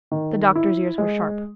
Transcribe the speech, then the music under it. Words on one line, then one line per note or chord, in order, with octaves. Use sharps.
The Doctor's ears were sharp.
D#3
E4
G#3